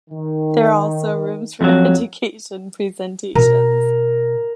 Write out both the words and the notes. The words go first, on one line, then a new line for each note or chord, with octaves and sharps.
There are also rooms for education presentations.
D#3
F2 E3 F#3
B2 B3 A#4